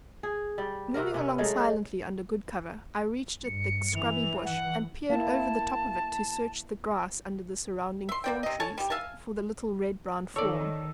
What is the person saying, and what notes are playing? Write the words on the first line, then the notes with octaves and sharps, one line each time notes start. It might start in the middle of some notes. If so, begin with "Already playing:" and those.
Moving along silently under good cover I reached a thick scrubby bush and peered over the top of it to search the grass under the surrounding thorn-trees for the little red-brown form.
G#4
G3
C3 F#4 A#4
C3 C#4
F#3 G#3 A3 D#4
G2 C#7
E3 F7
F#5
A#3 E4 A5
E5 C6
A#3 D5 G5
C3 D#5
A4 C#5 G#5 A5
G3 G4
E5 F5 G#5 A5
D#3 A4 C#5 D5